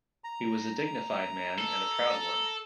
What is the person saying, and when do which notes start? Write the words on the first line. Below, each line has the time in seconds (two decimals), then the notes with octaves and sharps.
He was a dignified man and a proud one.
0.24 A#5
1.58 A4